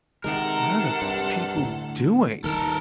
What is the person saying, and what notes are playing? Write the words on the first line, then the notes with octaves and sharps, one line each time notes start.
What are the people doing?
C3 D#3 G#3 A4 A#4 F#5
G2
A2 D3
D#1 D#3 A4 A#4